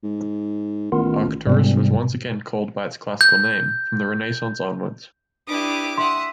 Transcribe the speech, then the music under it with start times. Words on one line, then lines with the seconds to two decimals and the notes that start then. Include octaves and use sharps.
Arcturus was once again called by its classical name from the Renaissance onwards.
0.04 G#2
0.92 A1 D#3 B3 F4
1.47 E1 G#2 C3 G3
3.21 G6
5.48 D4 E4 G4 B4 D6 D#6
5.97 E5 F#5 C6 D#6